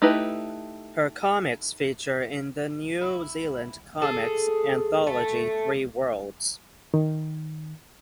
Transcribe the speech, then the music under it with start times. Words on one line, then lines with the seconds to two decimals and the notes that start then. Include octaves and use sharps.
Her comics feature in the New Zealand comics Anthology "Three Words".
0.02 A3 D#4 E4 G4 B4
3.01 E4
4.02 G#4 A4
5.07 A3
6.94 D#3